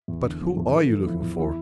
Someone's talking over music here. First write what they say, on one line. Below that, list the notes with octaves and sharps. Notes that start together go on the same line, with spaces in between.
But who are you looking for?
E2
D3
F3
E2
E2 A4
D3
F3 E4
E2
E4